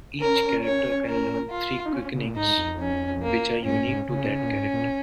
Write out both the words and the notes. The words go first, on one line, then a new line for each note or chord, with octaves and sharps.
Each character can learn three Quickenings, which are unique to that character.
C#4 A#4
C#5
A#4
F4
D#4
C#4
C#3
A#2
G#2 D#4
F2
C#4
A#3
G#2 C#4
G#2
C#3 C#4
A#2
C#3
A#2
G#2
A#2